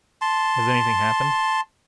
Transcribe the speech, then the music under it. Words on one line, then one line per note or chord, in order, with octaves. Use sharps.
"Has any thing happened?"
A5 C6